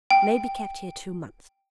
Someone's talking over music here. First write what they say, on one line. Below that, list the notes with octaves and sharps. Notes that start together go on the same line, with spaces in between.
May be kept here two months.
G5